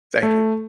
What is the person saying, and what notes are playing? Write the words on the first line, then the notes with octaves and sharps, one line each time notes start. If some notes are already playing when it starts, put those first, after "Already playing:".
Thank you.
A3